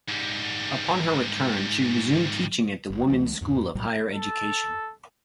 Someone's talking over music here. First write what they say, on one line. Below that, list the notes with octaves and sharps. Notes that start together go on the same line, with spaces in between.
Upon her return, she resumed teaching at the women's school of higher education.
G#2 G3
F#1
C#2 E3 G#3 A3
E2 G#2
B1 A2 F#3 G3
A4